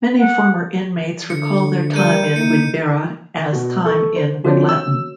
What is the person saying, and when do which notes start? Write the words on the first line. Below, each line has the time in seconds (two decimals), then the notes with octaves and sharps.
Many former inmates recall their time in Winbirra as time in Winlaton.
0.18 F#5
1.30 D3 C#7
1.94 G3 A#4 G6 D#7
2.36 A#3 D#4 E4 C#7
3.53 B2 F#4
3.86 A4 C#6
4.16 C5
4.44 F3 C4 D4 F#4 C#5
4.69 E6